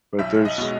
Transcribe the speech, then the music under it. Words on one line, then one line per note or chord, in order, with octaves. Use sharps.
But there's
B1 E5
D#5
B2 G#3